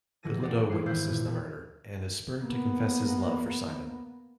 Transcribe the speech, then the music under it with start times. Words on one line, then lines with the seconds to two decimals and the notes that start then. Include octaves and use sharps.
Bilodeau witnesses the murder, and is spurred to confess his love for Simon.
0.23 E2 D3 F3 A#6 D#7
0.41 G4 C5 D5 F#5
0.69 E2 C5 F5 B5 C7
0.86 G#1 E4 B4 F5 G6 C7
1.08 A#2
1.25 E1 B4
2.40 A#3 B3